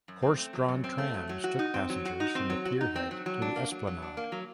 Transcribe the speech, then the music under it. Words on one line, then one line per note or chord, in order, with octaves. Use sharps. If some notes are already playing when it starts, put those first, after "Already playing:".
Horse-drawn trams took passengers from the pier head to the esplanade.
F#2
C4
A3
F#3
F#2
C4
A3
F#3
F#3
F#4
D#4
C4
F#3
F#4
D#4
C4
F#3
F#4
D#4
C4
F#3
F#3
D4
A#3
F#3
F#3
D4
A#3
F#3